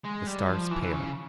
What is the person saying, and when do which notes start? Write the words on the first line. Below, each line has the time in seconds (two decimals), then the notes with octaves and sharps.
The stars pale.
0.04 G#3
0.27 G3
0.49 F3
0.71 E3
0.82 E3
0.93 C#3